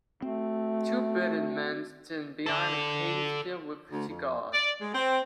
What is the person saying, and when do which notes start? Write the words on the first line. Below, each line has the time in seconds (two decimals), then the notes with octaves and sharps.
Two bearded men stand behind a case filled with cigars.
0.22 A3 C4 F#4
2.46 A4 D5
3.91 D2
4.08 F2
4.53 D5
4.81 G#3
4.94 C4